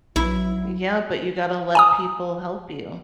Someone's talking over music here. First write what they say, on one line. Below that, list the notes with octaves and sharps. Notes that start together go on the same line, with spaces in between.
yeah, but you gotta let people help you.
A#1 F#3 E4
G#5 A#5 D#6